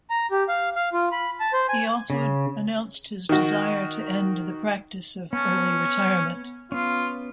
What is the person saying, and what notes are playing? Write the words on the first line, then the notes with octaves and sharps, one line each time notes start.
He also announced his desire to end the practice of early retirement.
A#5
G4
F5
F5
F4
B5
A5
C5
G#5
C#3
D#3 F#4
B3 C#4 A5
B3 C#4 F4